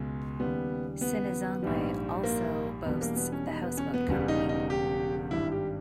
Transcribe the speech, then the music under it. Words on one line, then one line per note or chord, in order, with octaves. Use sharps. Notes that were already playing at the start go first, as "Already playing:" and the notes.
Sinazongwe also boasts The Houseboat Company.
Already playing: C#2 B2 G#3
D#2 C#3 G3 B3
B3
A#1 G#2 G3
A#3
E1 E2 B2 G3 B3
A#3
B3
C#4
D#4
B3
C#4
B3
E1 E2 C#3 G3 B3
D#4
D#4
G4
G#1 G2 G3 E4
G4